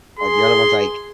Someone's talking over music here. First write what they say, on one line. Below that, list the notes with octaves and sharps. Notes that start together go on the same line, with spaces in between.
Like, the other one's, like,
G#4 C6